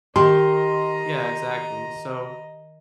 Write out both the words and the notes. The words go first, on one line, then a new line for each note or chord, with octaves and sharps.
yeah, exactly. So,
D#3 G4 D#5 A#5 C6